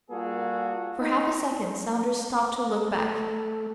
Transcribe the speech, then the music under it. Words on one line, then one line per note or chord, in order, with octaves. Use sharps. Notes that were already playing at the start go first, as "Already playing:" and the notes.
For half a second Saunders stopped to look back.
G3 A#3 F4 F#4 G#4 A4
D#4
A3